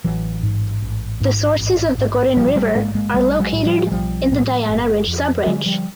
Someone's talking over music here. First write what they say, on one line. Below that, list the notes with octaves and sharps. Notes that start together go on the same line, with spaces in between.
The sources of the Gorin River are located in the Dayana Ridge subrange.
A1 E3 F#3
G#2
A1
G#2
A1
G#2
A1 F3 G3
G3 A3
G#2 G#3 A#3
G#3 A#3
B1 G3 A3
F#3 G#3
A2
F3 G3
G#3
B1 F3 G3
A2
G1
F2
D3 F#3 G#3
F3 G3